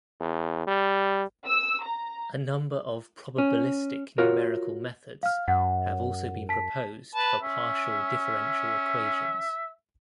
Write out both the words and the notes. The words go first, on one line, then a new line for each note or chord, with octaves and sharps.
A number of probabilistic numerical methods have also been proposed for partial differential equations.
E2
G3
E6
A#5
C#4
F4 F#4 A#4 C#5
F5 F6
F#2 F#5
A5 B6
B4 A5
C#4 E5